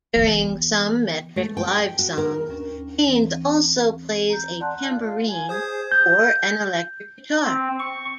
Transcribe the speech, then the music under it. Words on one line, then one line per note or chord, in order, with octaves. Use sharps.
During some Metric live songs, Haines also plays a tambourine or an electric guitar.
E3 B3
A3
G5
F#4
A#4
D#2 C#4 D4
E3 C4
A#5 G6
D5 F#5 A5 C6 F#6
F4
F4
G#5
G#4 C5 D#6 G#6
G6
C4
C#6